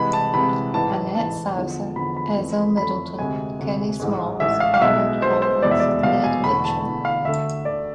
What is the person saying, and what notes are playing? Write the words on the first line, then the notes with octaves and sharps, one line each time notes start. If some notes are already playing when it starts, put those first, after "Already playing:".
Annette Sausser, Ezell Middleton, Kenny Smalls, Arnold Collins, Ned Mitchell.
Already playing: C2 C3 E3 G#3 B5
A5
C2 C3 E3 G#3 B5
A1 G#2 E3 A5
A1 G#2 E3 A5
E2 D3 F3
E2 D3 F3 B5
B5
F2 E3 A3
F2 E3 A3 B5
D2 C3 G#3 G#5
D2 C3 G#3
A1 G#2 G#3
A1 G#2 G#3 E5
F5
F5
B1 B2 G#3 E5
B1 B2 G#3 C5
C5
F1 E2 B2 G#3 D5
E5
D5
F1 E2 B2 G#3 F5
G#5
E1 E2 D3 A3 B5
A5
E1 E2 D3 A3
F5
D2 D3 A3 E5
D2 D3 A3 D5